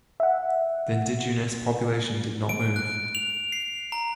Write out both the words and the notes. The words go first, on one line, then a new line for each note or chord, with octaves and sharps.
The indigenous population did not move.
E5 F#5
D7
F#6
F7
C7
A#5